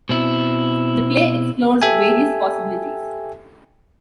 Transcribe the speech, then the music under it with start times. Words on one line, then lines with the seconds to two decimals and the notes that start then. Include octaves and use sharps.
The play explores various possibilities.
0.09 B2 C4 E4
1.82 G4 A4 E5 G5 G#5